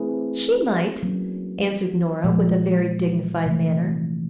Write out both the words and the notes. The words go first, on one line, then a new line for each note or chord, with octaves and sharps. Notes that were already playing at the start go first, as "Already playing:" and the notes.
"She might," answered Nora, with a very dignified manner.
Already playing: A3 C4 E4 G#4 B4
F#3 A#3 C#4
A#2 F3 G#3
C3 E3 A3